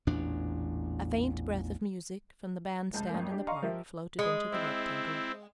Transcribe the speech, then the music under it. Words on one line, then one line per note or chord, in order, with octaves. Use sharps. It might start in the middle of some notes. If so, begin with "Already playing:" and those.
A faint breath of music from the band-stand in the park floated into the Rectangle.
A1 E2 A#2 D4
F1 C#2 A5 G6
A1 F#2 A#3
D4 G4 D5
D5 D#5 F5 A#5 C6 C#6
F3 G4 A#4 E5
G#3
C4 E4